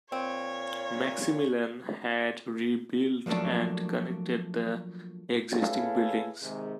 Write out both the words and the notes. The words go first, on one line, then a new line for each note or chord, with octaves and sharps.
Maximilian had rebuilt and connected the existing buildings.
A#2 C4 C#5
F3 F#3 A3 A#3 D4
E4 G#4 A4 B4 C#5 F5
C3 D#3 G#3